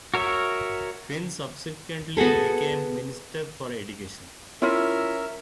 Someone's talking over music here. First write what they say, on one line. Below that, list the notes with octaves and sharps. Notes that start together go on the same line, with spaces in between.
Quinn subsequently became Minister for Education.
F#4 A#4 C#5 E5
B3 F#4 G#4 A4
C#4 E4 F4 A#4 E5